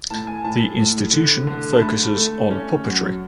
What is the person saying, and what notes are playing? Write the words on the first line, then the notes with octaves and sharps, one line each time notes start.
The institution focuses on puppetry.
A2 A5
G#5
A2 A5
A2
D3
D3
A5
A3 B5
A3
C#4
F#2